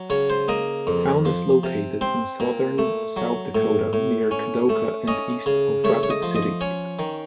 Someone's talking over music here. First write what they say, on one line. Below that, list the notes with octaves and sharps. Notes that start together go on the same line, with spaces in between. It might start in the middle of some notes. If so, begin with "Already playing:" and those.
Town is located in southern South Dakota near Kadoka and east of Rapid City.
Already playing: F#3
C#3 C#5
C5
A#3 D#5
F2
F3
C3
C4 C5
A#2
A3
F#3
A2
A2
C#4
A3
C#4 D#5
C#3
A3 C#5
C#5
D#5
F3
D#5
C#4 C#5
D#3